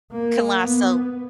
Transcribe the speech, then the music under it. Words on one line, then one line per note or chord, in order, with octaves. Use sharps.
can last so l
A#3
B3